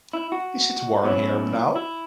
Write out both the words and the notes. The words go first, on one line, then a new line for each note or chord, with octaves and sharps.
Is it warm here now?
E4
F#4
B2 F#3 C#4 E4
E4